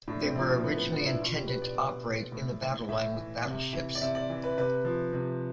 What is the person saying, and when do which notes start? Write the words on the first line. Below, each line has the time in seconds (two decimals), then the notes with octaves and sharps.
They were originally intended to operate in the battle line with battleships.
0.08 A2 D4
0.22 C4
0.36 F3 E4
0.50 C4
0.64 A2 B3
0.78 B3
0.92 F3 D4
1.06 E4
1.20 B2 F4
1.35 G4
1.47 B4
1.62 D5
1.76 B2
2.32 A2
2.61 E3
2.89 A2 E5
3.17 E3
3.45 C3
3.73 E3
3.95 D5
4.01 C3 E5
4.15 D5
4.30 E3
4.44 B4
4.58 C3 B4
4.85 F3
5.13 C3